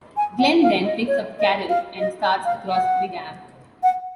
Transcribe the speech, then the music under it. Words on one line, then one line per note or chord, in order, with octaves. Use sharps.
Glenn then picks up Carol and starts across the dam.
G#5
F#5
F5
D#5
C#5
D#5
F5
D#5
D#5
F5
F#5
F#5